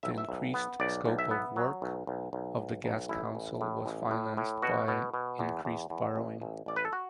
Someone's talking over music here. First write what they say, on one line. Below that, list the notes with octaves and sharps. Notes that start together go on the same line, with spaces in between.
The increased scope of work of the Gas Council was financed by increased borrowing.
B1 E5
E5
B1
B3
B1 D5
B1
E5
B3
F#3
B1
B1
B1
B1
B1
A1 E4
A1
A2
A1
A2
A2
B2 F#4
B2
B2
E2
E2
E2
A1
A1
A1 D5
B4
A4
F#4